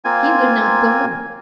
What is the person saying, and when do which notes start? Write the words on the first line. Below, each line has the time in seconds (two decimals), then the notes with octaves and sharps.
He would not go.
0.05 A#3 C4 F4 G#5